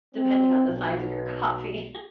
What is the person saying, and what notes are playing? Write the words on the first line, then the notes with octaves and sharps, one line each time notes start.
depending on the size of your coffee.
C4
B1